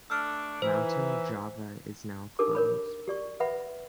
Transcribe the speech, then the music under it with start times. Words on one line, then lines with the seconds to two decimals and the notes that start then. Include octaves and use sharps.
Mountain Java is now closed.
0.10 A3 D4 E6 F6
0.62 E3 D#4 E4 C5
2.39 D4 D#4 G4 A4 A#4 D6
2.55 A#4 C#5 B5
3.08 G4 D5 C#6
3.40 B4 E5 F#5 B5